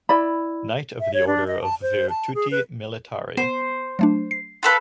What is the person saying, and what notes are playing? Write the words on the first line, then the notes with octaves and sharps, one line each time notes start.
Knight of the Order of Virtuti Militari.
E4 D5 B5
E5
C#5
D4
D#5
A5
C5
A5
G#4
B4
B3 C5
F#3 A3 D4
C7
F4 A4 B4